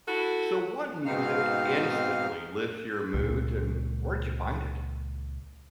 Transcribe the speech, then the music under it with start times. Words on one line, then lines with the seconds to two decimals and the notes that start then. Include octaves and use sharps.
So, what music instantly lifts your mood, and where'd you find it?
0.06 E4 F#4 A4
1.05 G#2 B2 C4 D#4 F5 F6
3.14 C#2 A#2